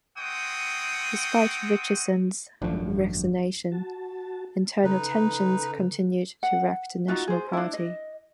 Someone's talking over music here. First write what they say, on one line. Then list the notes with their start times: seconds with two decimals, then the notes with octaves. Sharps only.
Despite Richardson's resignation, internal tensions continued to wrack the National Party.
0.18 G#3 C4 F#5 G5 C#6 D#6
2.62 G#1 F#2 F3 A3 D4
3.72 F#4 A5
4.84 C#3 D#4 A4 B4
6.43 F#5
7.08 D#4 F4 F#4
7.27 G#4 C5
7.53 D4 E4
7.73 D#5